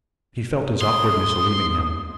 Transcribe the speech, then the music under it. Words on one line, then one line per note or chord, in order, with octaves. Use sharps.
He felt his awkwardness leaving him.
C6 D#6